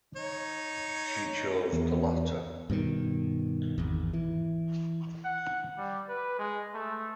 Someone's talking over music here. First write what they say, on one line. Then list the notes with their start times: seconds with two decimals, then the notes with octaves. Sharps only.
She chose the latter.
0.16 D#4 C#5
1.73 E2
2.70 G2 B2 D#3
3.78 G#1 E2
4.13 E3
5.25 F#5
5.78 G3
6.09 B4
6.39 G#3
6.74 A3